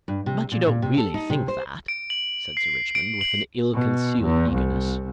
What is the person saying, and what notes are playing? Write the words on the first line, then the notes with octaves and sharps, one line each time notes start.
"But you don't really think that?" said Sir Richmond, with an ill-concealed eagerness.
G2
C3
A#2
A#2
C3
A4
D#4
C3
C5
D7
F#7
C7
D7
F#7
B2
E2
C2